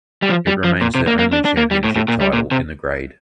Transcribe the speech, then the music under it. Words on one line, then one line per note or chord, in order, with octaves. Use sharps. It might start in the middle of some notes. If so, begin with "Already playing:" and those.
It remains their only championship title in the grade.
G3
F3
G3
F3
A#2
C3
A#3
A#3
D4
D4
A#3
G3
A2
A2
A#2
G3
A#2
C3